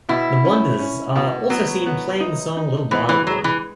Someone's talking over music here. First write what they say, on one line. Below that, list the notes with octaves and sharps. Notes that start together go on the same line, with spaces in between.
The Wonders are also seen playing the song Little Wild One.
B2 E4
C#4
C#4
B2
F#3 B3
B3
D#4
D#4
E3 B3
E3
F#3 G#3
E3